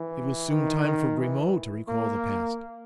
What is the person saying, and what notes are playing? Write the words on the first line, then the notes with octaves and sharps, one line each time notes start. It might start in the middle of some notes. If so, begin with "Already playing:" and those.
It was soon time for Grimaud to recall the past.
Already playing: E3
D#3
D#3
E3
A#3